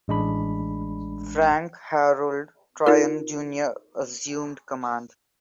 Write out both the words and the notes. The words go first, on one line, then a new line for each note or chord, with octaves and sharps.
Frank Harold Tryon, Junior assumed command.
A1 G#3 D4 B5
D#4 F4 A#4